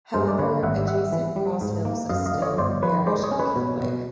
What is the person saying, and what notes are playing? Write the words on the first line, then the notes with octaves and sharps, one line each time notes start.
However adjacent Cross Hills is still in the parish of Kildwick.
G2 A#4 C5
D5
D3 B4 C#5
G#1 E5 F#5
G3 E5 F#5
E3
G3
G#2
A#3
F#2 D#5 F5
D#5 F5
D3
C#5 D#5
G1 C5 D5
F3 B4 C#5
G#3 C5 D5
C#5 D#5
C#4
B4 C#5
B2
B2